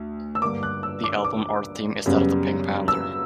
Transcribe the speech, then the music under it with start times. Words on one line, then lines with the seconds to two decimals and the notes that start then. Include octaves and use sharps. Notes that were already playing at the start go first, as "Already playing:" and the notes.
The album art theme is that of the Pink Panther.
Already playing: D2
0.35 E6
0.42 G2 D3 A#3 D6
0.63 F#6
0.83 E6
1.04 D6
1.24 D6
2.06 F#2 C#3 G3 B3
2.88 E6